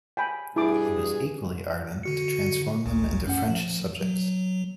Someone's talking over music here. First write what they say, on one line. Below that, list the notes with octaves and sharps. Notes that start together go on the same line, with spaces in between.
He was equally ardent to transform them into French subjects.
G5 G#5 B5
G2 B2 E4 G#4 D6
D3 F#4 C#7
A1 D2
F#2 C#4 F#5
F3
F#3